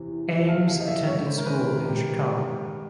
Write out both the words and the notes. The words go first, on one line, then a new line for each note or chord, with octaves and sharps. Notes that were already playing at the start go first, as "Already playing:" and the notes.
Ames attended schools in Chicago.
Already playing: E2 C3 E3
E2 E5
F5
C3 E3 F5
D#5
E5
G#2 C#5
C5
A#4
D#3 B4
A#4
G#2 G4